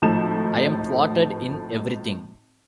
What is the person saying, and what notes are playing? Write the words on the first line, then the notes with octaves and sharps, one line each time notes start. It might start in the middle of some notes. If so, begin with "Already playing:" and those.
I am thwarted in everything.
G#1 A2 F3 A3 D#4 E7